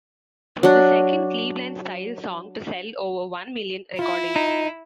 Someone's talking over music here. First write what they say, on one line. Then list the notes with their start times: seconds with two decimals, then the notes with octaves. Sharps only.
It was the second Cleveland-style song to sell over one million recordings.
0.63 F#3 D4
3.99 E4 F4
4.36 D#4